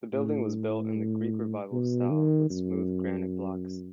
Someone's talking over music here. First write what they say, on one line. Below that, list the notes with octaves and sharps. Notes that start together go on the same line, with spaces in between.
The building was built in the Greek Revival style with smooth granite blocks.
A2
B2
D#3
F#2